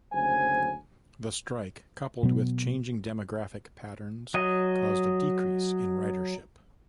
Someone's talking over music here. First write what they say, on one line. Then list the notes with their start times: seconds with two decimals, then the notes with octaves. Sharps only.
The strike, coupled with changing demographic patterns, caused a decrease in ridership.
0.13 F#1 D2 F#3 C5 G#5
2.23 B2 F#3 B3
4.34 F#3 D#5